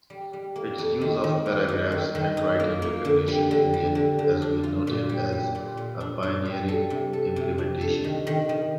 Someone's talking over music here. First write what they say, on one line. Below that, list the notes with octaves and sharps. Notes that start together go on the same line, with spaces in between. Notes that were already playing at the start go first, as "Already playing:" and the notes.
Its use of ParaGraph's handwriting recognition engine has been noted as a pioneering implementation.
G3
G3
A#3
F2
D#3
D#3
A#3
D#4
D#3
D#3
D#4
A#3
A#3
D3
G3
D3
G3
D3
D3
D4
F4
A#2
G3
G3
A#2
A#2
D4
D4
G3
A4
C3
A4
C3
D4
A4
D#3
D#3
D#3